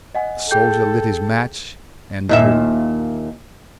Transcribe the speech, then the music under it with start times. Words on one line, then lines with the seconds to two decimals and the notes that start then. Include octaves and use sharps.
The soldier lit his match, and drew.
0.15 D#5 F#5 G#5
0.51 G#4 A4 G5 G6
2.29 D#2 A#2 E5